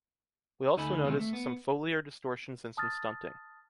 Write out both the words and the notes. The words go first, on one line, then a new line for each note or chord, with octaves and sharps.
We also notice some foliar distortions and some stunting.
D2 D#4 A4 G#5 B5
C3 D#3 G#3 B3 C4
A3
B3
A5 D#6 F6 A6